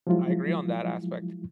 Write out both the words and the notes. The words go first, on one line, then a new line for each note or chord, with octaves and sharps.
I agree on that aspect.
F3 F#3 G#3 E4 F4